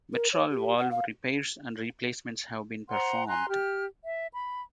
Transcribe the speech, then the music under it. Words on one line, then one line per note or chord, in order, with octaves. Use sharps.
Mitral valve repairs and replacements have been performed.
A#4
C#5
G4
F#5
F5
C5 F#5 A#5 C6
G#5 A#5 C6 F#6
G4 F6
E5
B5